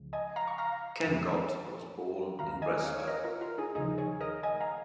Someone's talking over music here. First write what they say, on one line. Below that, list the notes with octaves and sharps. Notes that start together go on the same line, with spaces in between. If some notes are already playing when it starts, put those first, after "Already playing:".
Kenngott was born in Breslau.
Already playing: C#2 C#3 F3
D#5 G#5
F5 A#5
C#6
F5 A#5
F2 F3
D#2 D#3 F5 A#5
D#5 G#5
C#5 F5
C#5
A#4 D#5
F4 A#4
F4 A#4
D#4 G#4
D#2 C#3 F3 D#4 G#4
G#4 C#5
A#4 D#5
D#5 G#5
F5 A#5